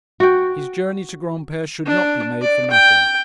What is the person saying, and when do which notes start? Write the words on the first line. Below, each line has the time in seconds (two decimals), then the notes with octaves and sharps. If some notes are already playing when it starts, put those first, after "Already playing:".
His journey to Granpere should not be made for nothing.
0.20 F#4 G5
1.86 D4
2.41 D5
2.71 G5